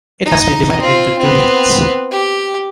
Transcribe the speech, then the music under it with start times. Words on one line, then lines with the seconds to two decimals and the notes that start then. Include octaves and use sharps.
It has been divided into two units.
0.25 D#4 D#5
0.81 C4 F4
1.18 B3 C4
2.11 G4